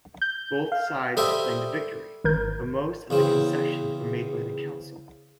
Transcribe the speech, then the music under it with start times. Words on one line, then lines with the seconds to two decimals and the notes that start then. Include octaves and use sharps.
Both sides claimed victory, but most of the concessions were made by the Council.
0.22 G6
0.72 F5
1.17 G3 G#4 A4 C5 E5
2.24 G#1 A#4 G6
3.10 E2 C#3 C4